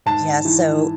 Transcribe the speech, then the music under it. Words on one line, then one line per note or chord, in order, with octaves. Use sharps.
Yeah, so
G#2 A5
E3